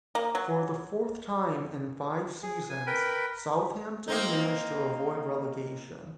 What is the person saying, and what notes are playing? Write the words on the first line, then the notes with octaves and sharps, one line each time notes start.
For the fourth time in five seasons, Southampton managed to avoid relegation.
A#3
F#3
G#4
G#5
A#4 B4 G5 B5
A#3 C4 D#4